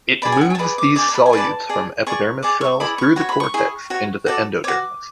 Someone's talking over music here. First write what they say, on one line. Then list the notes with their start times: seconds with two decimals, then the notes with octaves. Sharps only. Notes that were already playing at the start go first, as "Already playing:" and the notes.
It moves these solutes from epidermis cells through the cortex into the endodermis.
0.22 G#4 D5 B5
0.32 G#5
0.41 F#5
0.50 G#5
0.55 A5
0.59 G#4 B4 D5 B5
0.78 D6
0.95 G#4 D5 D6
1.08 A5
1.15 B5
1.26 G#5
1.33 G#4 B4 D5 A5
1.69 G#4 D5
2.07 G#4 D5 C#6
2.43 G#4 D5 D6
2.61 C#6
2.80 E4 G#4 D5 B5
2.98 C#6
3.16 F#4 C#5 C#6
3.29 B5
3.40 C#6
3.54 E4 G#4 C#5
3.90 F#4 C#5
4.26 F#4 A4 D5
4.64 F#4 C#5 D6